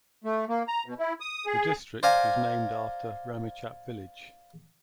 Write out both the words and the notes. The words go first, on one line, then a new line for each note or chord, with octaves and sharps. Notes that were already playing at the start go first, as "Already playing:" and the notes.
The district was named after Ramechhap village.
A3
A#3
A#5
B2
E4
D#6
G#4
C5 D5 F5 G#5 A#5